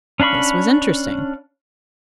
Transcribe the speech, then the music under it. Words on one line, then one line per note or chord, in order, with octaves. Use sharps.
This was interesting.
C#4 D4 F5 B5 C#6